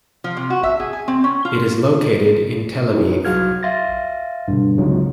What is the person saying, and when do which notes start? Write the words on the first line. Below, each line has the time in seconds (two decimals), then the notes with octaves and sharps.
It is located in Tel-Aviv.
0.24 F3
0.37 C3
0.50 F#4
0.63 E5
0.80 G#4
0.93 G#5
1.08 C4
1.24 C#4
1.45 F4
2.92 D#4 E4 F#4 G#4 B4 C#5
3.25 C2 F#3 F#4 F5 F6 G#6
3.63 E5 F5 C6 A6 A#6
4.48 G2 B2 D3
4.77 C#2 C#3 F#3 C4 D#4 F4